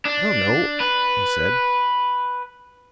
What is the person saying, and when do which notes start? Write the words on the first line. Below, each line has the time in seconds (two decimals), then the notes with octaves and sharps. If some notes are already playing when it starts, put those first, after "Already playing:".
"I don't know," he said.
0.05 D4
0.80 B4